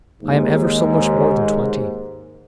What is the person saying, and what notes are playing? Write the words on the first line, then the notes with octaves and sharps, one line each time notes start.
I am ever so much more than twenty.
D#2 G#2